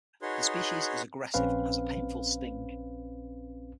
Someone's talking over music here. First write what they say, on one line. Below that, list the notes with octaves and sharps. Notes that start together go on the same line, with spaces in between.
The species is aggressive and has a painful sting.
D#4 F#4 G#4 B4 C#5 C6
A#1 C4 C#4 B4 F5